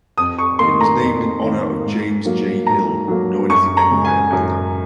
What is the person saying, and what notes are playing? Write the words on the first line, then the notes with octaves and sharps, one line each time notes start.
It was named in honor of James J. Hill, known as the Empire Builder.
F2 D#6
C#6
D#3 A#3 C6
A#5
F2
D#3 A#3
G#2
F#3 A#3
G#2 A#5
F#3 A#3
F#2 C#6
A#5
C#3 G#3
G#5
F#2